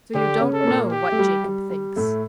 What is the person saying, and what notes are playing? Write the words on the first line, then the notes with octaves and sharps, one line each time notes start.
"So you don't know what Jacob thinks?"
D3 D4 G4
C#3 C#4
A4
C#4
A#2 A#3
G4
A3
G3
G3
G3
A2 A3